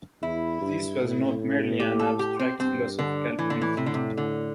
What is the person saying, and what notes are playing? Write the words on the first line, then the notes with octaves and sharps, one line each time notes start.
This was not merely an abstract philosophical point.
E2 E4
G2
A2
G4
A4
G4
C4
G2 C4
D3
A2 E3
D3
E3
C3
D3
C3
D3